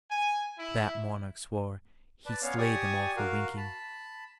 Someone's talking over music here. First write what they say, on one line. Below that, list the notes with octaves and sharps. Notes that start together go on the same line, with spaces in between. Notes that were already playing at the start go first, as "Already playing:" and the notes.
That monarch swore He'd slay them all for winking.
G#5
E4
B4 D5 A5
B3 C#4 C#5 F5
G4 D5 G#5 C#6 D#6
F#4 A#4 F5
A5 B5